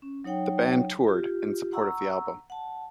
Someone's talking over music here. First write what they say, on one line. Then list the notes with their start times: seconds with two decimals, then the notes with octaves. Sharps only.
The band toured in support of the album.
0.02 C#4
0.24 F#3 D#4 C#5 F#5 G5
1.07 F4 G4
1.73 F#5 A#5 C#6 E6
2.50 F#5 A5